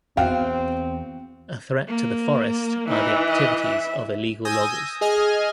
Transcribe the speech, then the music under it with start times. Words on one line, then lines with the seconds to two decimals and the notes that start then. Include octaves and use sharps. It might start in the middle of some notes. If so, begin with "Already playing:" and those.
A threat to the forest are the activities of illegal loggers.
0.17 E2 C4 F#4 F5 G5
1.88 A#3
2.89 E3 D#4
3.30 D#5
3.60 E5
4.45 G#5 D#6 E6 G6 A#6
5.01 G#4 D#5 G#5 F6